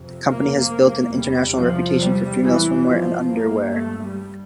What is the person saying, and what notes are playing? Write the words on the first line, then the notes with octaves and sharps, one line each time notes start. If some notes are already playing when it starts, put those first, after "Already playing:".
The company has built an international reputation for female swimwear and underwear.
Already playing: F2 C3
A#3
A#3
A#3
E2 C3 G3
F3
G3
E3
G2 F3
A#3
A3
G3